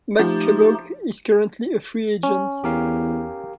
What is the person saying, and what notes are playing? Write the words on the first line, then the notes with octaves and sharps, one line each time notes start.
McCullough is currently a free agent.
F3 A3 D#4 G4
C#4
E2 G4 A#4 F5